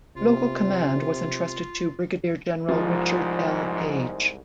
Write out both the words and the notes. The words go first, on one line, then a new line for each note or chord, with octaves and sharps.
Local command was entrusted to Brigadier General Richard L. Page.
C3 F4
C2 G#2 F3